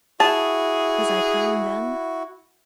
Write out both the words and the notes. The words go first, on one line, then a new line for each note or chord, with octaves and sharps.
Was I kind then?
E4 F#4 G#4 A5